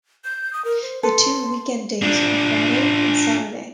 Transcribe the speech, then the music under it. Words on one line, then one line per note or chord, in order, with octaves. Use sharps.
The two weekend days are Friday and Saturday.
G6
D#6
A#4
C5
A4 B4 C6
D4 F4